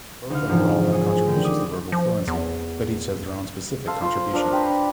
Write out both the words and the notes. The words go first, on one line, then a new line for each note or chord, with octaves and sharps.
Both overall have contributions to verbal fluency, but each has their own specific contribution.
D2 D#4 F5
G#2 C3 E3 F3
G#4 C#5 D#5
D3 D#3 A3 G4
D6 D#6
F3
E2
A4 C5 F5
F4 C5
F3 D4 A#4
G4 B4 A#5